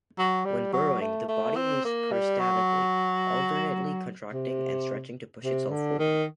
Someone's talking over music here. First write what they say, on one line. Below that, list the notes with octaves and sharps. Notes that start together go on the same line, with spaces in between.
When burrowing, the body moves peristaltically, alternately contracting and stretching to push itself forward.
F#3
G3
F#3
A3
A3
C4
A#3
G3
F#3
C3
C3
D3
D#3